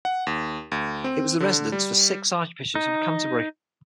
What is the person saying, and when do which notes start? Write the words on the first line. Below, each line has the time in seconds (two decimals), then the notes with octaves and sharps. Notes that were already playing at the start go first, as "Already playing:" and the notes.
It was the residence for six Archbishops of Canterbury.
0.05 F#5
0.27 D#2
0.72 D2
1.04 C4
1.40 D3
1.72 G3
2.75 D#4